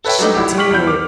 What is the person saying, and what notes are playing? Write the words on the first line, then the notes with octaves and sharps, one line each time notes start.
she did,
A4 B4 C#5 E5 G5
F#3 G3 A3 D4 D#4
A#1 E4 F#4 G4
G5 C#6 F6 B6 F#7
E2 E4 G6
D6 F6